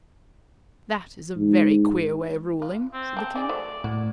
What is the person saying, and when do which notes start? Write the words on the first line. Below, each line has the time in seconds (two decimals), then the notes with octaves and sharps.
"That is a very queer way of ruling," said the King.
1.37 G#2
2.62 F4
2.93 C4
3.17 C4 G5 A5
3.35 D#4 G#4 D5
3.49 F#3 A3 C5
3.84 A2 F#4